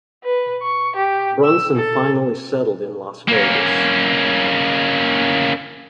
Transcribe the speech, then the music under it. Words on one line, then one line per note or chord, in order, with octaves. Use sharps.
Brunson finally settled in Las Vegas.
B4
C#6
G4
E6
A4
A#3 C#4